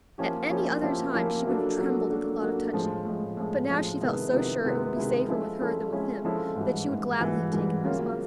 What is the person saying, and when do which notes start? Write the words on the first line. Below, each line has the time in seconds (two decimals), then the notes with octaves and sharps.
At any other time she would have trembled at the thought of touching it; but now she felt so sure it would be safer with her than with him, that she would gladly have taken the responsibility.
0.18 F3 A#3 C#4 E4 G4
0.50 F3 A#3 C#4 E4 G4
0.82 F3 A#3 C#4 E4 G4
1.14 F3 A#3 C#4 E4 G4
1.46 F#3 A#3 D4 F#4 A4
1.78 F#3 A#3 D4 F#4 A4
2.10 F#3 A#3 D4 F#4 A4
2.42 F#3 A#3 D4 F#4 A4
2.73 A2 F3 G#3
3.05 A2 F3 G#3
3.37 A2 F3 G#3
3.69 A2 F3 G#3
4.01 C3 D#3 G#3 B3 E4
4.33 C3 D#3 G#3 B3 E4
4.64 C3 D#3 G#3 B3 E4
4.96 C3 D#3 G#3 B3 E4
5.28 F3 G#3 C#4 E4 A4
5.61 F3 G#3 C#4 E4 A4
5.92 F3 G#3 C#4 E4 A4
6.25 F3 G#3 C#4 E4 A4
6.56 G#2 E3 G3
6.88 G#2 E3 G3
7.20 G#2 E3 G3
7.52 G#2 E3 G3
7.83 C#3 F#3 A#3 C#4 F4